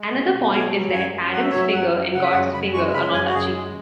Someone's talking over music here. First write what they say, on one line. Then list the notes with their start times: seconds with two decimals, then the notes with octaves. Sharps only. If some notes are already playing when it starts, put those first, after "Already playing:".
Another point is that Adam's finger and God's finger are not touching.
Already playing: G#3
0.12 B2
0.32 B2
0.52 F#3 G#5
0.73 F#3
0.93 F#2 G#5
1.12 F#2
1.33 F#3 F#5
1.42 E5
1.51 F#3 C#5
1.60 E5
1.73 F#2 F#5
1.93 F#2
2.13 C#3 F#5
2.23 E5
2.32 F#2 F#5
2.53 F#2 B5
2.74 G#3 C#6
2.94 C#3 B5
3.14 F#2 G#5
3.26 F#4
3.34 F#2 G#4
3.54 G#3